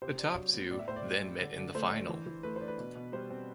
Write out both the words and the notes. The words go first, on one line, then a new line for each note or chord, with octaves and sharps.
The top two then met in the final.
C3 C5
D4
F#3
B3
A2 D5
E5
A2 C5
D5
G3
D4
D3
D3
A3 C5
D4
E3
E3
A3 B4
D4 C5
B4
B2
B2
G3 C5
C4